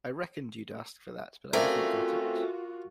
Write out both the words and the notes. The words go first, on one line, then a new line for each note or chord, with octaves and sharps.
I reckoned you’d ask for that, but I haven’t got it.
A3 C4 C#4 F4 F#4 A#4 D5 F5